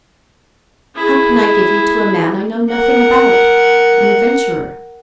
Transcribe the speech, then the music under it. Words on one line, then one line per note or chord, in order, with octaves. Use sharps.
How can I give you to a man I know nothing about,--an adventurer?
E4 G#4
A#4 F#5